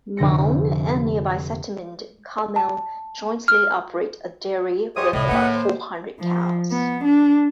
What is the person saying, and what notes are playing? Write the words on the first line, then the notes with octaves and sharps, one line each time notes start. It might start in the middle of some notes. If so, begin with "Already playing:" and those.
Ma'on and nearby settlement Carmel jointly operate a dairy with about four hundred cows.
F1 D3 A#6 C#7
A5
F6
E2 G#3 G4 C5 C#5 D#6
C2 A2 D#5
D#3 A#3 B4 D#5 F#5
C5
F3
B3
D4